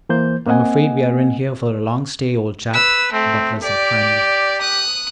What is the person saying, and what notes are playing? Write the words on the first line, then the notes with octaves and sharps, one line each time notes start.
"I am afraid we are in here for a long stay, old chap," Butler said finally.
E3 A#3 C5 G6
A#3 C4 D#5 F#5 G#5
B4 E6
A3 C4
G4 D5
D#6 F#6